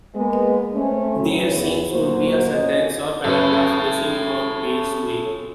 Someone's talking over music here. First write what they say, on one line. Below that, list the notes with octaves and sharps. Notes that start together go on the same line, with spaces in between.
There seems to be a sentence or paragraph missing on page three.
G#3 A#3 B3
A3 C4 C#4
A2 C#3 F#3
E2
D2 A#2 F#3 A#3 F#4 C5
F2 C3 C#4 D#5
F#2 C#3 A4 B4 C#5